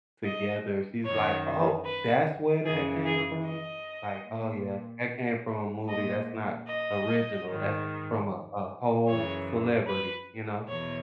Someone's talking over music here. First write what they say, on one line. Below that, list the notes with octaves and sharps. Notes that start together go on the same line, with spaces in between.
together, she's like, "Oh, that's where that came from?" Like, "Oh, yeah, that came from a movie, that's not original. That's from a a whole celebrity," you know?
D#5
F#2 D#3 C#5
B4
F#2 C#3 E3 G#4
G#4
D#5
A#2
A#2 D#5
D#5
G#2 D#3
F#2 C#3 E3 C#5
B4
E2 B2 C#5